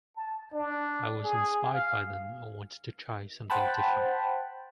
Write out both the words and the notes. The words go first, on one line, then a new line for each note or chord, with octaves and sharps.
I was inspired by them and wanted to try something different.
A5
D4
G#4
F5
C5 F#5 G5 A5 B5